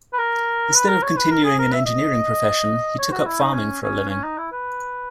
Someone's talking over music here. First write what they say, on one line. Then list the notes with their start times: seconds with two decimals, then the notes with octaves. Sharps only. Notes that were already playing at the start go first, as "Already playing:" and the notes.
Instead of continuing an engineering profession, he took up farming for a living.
0.13 B4
0.19 A#4
0.75 B4
0.88 A#4
1.03 C#5
1.17 B4
1.31 A#4
1.44 G#4
1.59 A#4
1.73 E5
1.86 D#5
2.99 C#5
3.12 F#4
3.27 E4
3.40 D#4
3.54 C#4
3.82 C#4
4.10 C#4
4.24 D#4
4.38 E4
4.52 B4